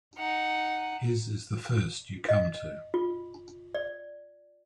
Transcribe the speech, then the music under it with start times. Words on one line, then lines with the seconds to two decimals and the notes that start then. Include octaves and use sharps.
His is the first you come to.
0.18 D#4 F#5
2.29 D#5
2.94 F4
3.75 D5